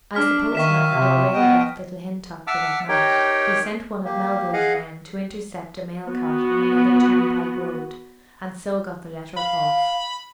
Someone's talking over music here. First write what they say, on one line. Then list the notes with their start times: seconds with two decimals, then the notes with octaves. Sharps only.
As the postman had already left Little Hintock for that night, he sent one of Melbury's men to intercept a mail-cart on another turnpike-road, and so got the letter off.
0.15 D4 F6 B6
0.55 D#3 E5 F5 C#6 B6 E7
0.93 C3
1.34 B3 D#5 G5
2.47 E5 F#5 A5 D6 E6 F6
2.89 D#4 G4 A#4 C#5 G5
4.05 A#3 G4
4.53 G#4 D#5 F5 F#5
6.06 B3 F#4
9.37 F5 B5